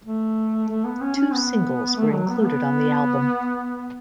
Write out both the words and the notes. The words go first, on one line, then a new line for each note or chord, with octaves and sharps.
Two singles were included on the album.
A3
A3
B3
C#4
C#4
B3
A3
F#3
B3
A3
B3